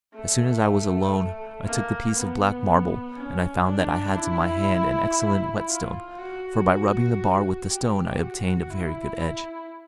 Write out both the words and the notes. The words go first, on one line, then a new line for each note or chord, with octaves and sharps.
As soon as I was alone, I took the piece of black marble, and I found that I had to my hand an excellent whetstone; for by rubbing the bar with the stone I obtained a very good edge.
A3
A#3
B3
C#4
D4
E4
F4
F#4
G4
F#4
E4